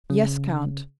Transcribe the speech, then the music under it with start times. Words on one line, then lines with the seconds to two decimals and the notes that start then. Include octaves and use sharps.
"Yes, count."
0.10 C#3